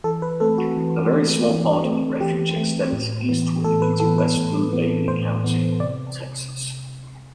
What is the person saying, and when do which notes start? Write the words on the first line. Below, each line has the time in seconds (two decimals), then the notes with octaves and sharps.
A very small part of the refuge extends eastward into western Bailey County, Texas.
0.04 E3 A4
0.22 B4
0.40 A3 C4 A4
0.58 F#4
0.77 E3
1.12 A3 C4
1.49 E3
1.84 A3 C4
2.20 E3 G4
2.56 A3 C4
2.93 A2
3.29 E3 B3
3.64 A2 A4
3.82 B4
4.00 E3 B3 A4
4.18 B4
4.36 A2
4.72 E3 B3
5.08 A2 C5
5.44 E3 B3
5.80 C3 D5